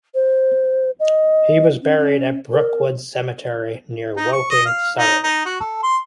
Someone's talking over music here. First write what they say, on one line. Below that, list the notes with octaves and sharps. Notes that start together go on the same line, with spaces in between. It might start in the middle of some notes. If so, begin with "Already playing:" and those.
He was buried at Brookwood Cemetery near Woking, Surrey.
C5
D#5
C#4
C#4
A#4
D#4
C#6
D#5
F5
D#4
D#4
F#4
A4
C6